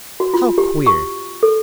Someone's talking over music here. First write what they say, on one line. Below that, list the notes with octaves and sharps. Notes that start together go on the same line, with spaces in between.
How queer!
F#4
F4
G4
C#6
A4